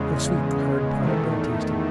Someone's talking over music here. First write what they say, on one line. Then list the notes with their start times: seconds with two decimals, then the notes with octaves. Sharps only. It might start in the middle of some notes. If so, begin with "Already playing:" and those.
How sweet the hard pilot-bread tasted!
Already playing: E2 C#3 G#3
1.02 E2 D#3 A3